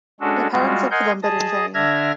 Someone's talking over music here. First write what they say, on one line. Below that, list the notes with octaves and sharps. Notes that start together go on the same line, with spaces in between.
Their parents look for them but in vain.
G#3 C#4 D4 F#4 A4
G3 G#3 F4 F#4
A#4 D#5 F#5 G#5 C6 G6
G#4 D#5 A5 D#6
D3 D4 E5 F6 G#6 A#6